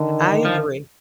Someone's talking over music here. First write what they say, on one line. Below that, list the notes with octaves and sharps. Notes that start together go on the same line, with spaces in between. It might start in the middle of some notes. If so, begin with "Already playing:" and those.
I agree.
Already playing: D3 D#3
F3